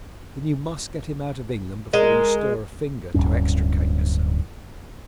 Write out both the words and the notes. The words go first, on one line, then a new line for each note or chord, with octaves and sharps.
Then you must get him out of England before you stir a finger to extricate yourself.
G#3 A#4
D1 G1 G2 C#4